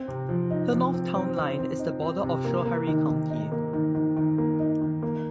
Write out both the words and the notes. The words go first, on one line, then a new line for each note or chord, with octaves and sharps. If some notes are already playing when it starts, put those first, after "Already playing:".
The north town line is the border of Schoharie County.
Already playing: C4
C3
F3
D#4
F3
C4
C4
C4
C4
D#4
C4
C3
A#3
A#3
D#3
D#3
D#4
A#3
D#3
D#3
D#3
A#3
D#4
D#3
A#3